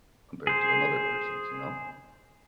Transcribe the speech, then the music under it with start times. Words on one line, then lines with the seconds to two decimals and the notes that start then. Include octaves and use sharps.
compared to another person's, you know.
0.47 G#4 C5